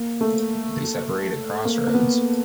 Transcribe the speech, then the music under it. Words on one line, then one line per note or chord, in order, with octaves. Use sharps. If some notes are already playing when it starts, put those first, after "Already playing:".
They separate at crossroads.
Already playing: A#3
A3
A#3
A#3
B3